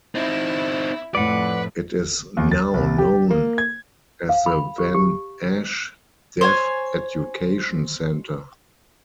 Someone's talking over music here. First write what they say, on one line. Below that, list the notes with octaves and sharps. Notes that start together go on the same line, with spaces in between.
It is now known as the van Asch Deaf Education Centre.
C4 D#4 E4
F2 A2 B4 D5 F#5
D#2
A6
C2
G4
A#3
G#6
F5
B5
G4
G4
C5 C#5 G#5